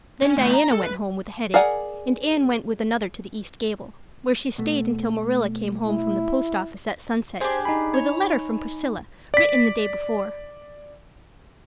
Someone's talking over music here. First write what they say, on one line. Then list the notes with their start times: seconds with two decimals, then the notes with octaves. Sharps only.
Then Diana went home with a headache and Anne went with another to the east gable, where she stayed until Marilla came home from the post office at sunset, with a letter from Priscilla, written the day before.
0.22 C#4
0.38 D#2 A2
0.54 A#5
0.72 A4
0.83 B4
1.54 G#4 A#4 D5 F#5 G#5
4.58 B2 A3
5.86 E4
7.41 D4 G4 G#4 C5
7.65 D#4 G#5 B5
7.94 C#5
9.34 D5 B6